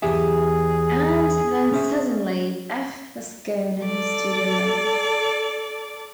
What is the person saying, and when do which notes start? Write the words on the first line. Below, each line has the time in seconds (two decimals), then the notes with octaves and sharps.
And then suddenly F. was gone and he stood alone.
0.02 E2 G4 G#4 E5
1.72 C#4 C5 E5
3.84 A4 D5